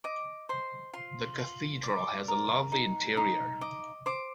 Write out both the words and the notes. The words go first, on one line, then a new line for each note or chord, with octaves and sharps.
The Cathedral has a lovely interior.
D#5 D6
C5 C6
F4 C6
F4
D5 D6
A#4
D#4
D#4
D#5 D6
C5 D6